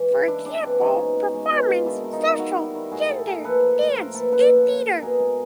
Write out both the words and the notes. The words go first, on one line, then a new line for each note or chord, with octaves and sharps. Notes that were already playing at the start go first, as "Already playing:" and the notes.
For example: performance, social, gender, dance, and theater.
Already playing: E3 G#3
C#3
G#3 D4 E4
C#3 D4 E4
E3 C4 D4
G#3 C#4 D#4
B2
G#3
G#3
B2
G#3
F4
D#3 D4 E4
D#3
D#4 F4
D#3
D#3 E4 F#4
G3
D#3
A2 F#4 G#4
A2 G4 A4
A#3 G#4 A#4
F3 A4 B4
F3
A2
A#3 A#4 C5
A#3 A4 B4
C#3 A4 B4
A#3
C#3
C#3
B2 G#4 A#4
G#3